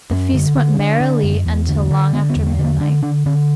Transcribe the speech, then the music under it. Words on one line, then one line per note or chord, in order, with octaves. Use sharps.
The feast went merrily until long after midnight.
F#2 C#4
D3
D3
C#4
D3 D4
D3
F#2
E2
D3
D3
D3 B3
B3
E2
A#3
D3
A#3
D3 D4
D3 D4
D3 C#4